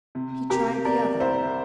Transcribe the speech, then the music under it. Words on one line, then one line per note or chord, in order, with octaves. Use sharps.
He tried the other.
C3
C3 G4 A#4
C3 A#4 D5
C2 C5 E5